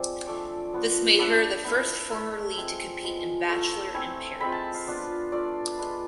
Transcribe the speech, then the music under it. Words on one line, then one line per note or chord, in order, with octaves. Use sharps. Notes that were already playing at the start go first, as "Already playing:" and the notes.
This made her the first former lead to compete in "Bachelor In Paradise".
Already playing: F3 G#3 C4 F4 D5
F3 A3 D4 D5
F3 B3 F4
F3 B3 D4 E5
B3 E4
A3 E4
G#3 C4 F4 F5
F3 G#3 B3
A3 E4 F5
A3 C4 E4 G#5
G#3 C4 F4 B5
A5
F5
B3 D4 F4
A3 D4 F4 D5
G#3 D4 F4 B4